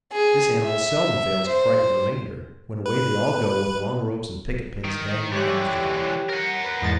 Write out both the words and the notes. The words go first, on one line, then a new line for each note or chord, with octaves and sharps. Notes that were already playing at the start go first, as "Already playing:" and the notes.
This animal seldom fails to frighten the remainder, when away they all go with long ropes and picket pins dangling after them.
G#4
E5
C5
B4
D#3
D3 E3 G4 C#5 F#6
A#4 F#5
B4
E2 G#2 A6